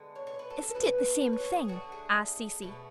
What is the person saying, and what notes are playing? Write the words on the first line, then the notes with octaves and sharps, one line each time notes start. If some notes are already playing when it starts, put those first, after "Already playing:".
"Isn't it the same thing?" asked Cecy.
Already playing: D3 G#3 B3
C#5
C#5
B4
A4
A4
B2 F#3 B3 B4
A4
B4
C#5
C#5
G#4
D3 A3 F#4
G#4
B2 A3